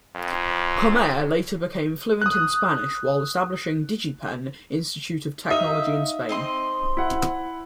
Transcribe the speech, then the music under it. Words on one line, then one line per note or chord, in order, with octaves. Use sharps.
Comair later became fluent in Spanish while establishing DigiPen Institute of Technology in Spain.
F2
D#6 F#6
D#4 E5 F5 D#6 D#7
C4 D#5 C6
E4 F#5